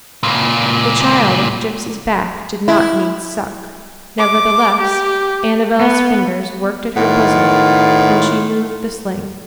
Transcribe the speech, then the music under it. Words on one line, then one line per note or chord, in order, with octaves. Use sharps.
The child at the gipsy's back did not need suck; nevertheless, Annabel's fingers worked at her bosom, and she moved the sling.
C#2 A#2
E4
D6
G4
B3
A2 D#3 B3 F4